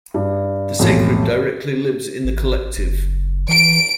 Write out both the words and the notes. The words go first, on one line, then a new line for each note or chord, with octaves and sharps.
The sacred directly lives in the collective.
G2
B1 F2 A2 E3 G#3
G#1
F#1
E3 D7